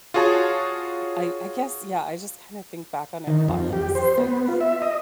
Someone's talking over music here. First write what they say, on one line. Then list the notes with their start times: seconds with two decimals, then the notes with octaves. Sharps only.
I I guess yeah, I just kinda think back on it fondly ‘cause it's like,
0.14 F4 F#4 G#4 C#5 A5
3.27 D#3
3.48 F2
3.73 G4
3.95 C5
4.18 B3
4.48 F4
4.61 E5
4.82 D#5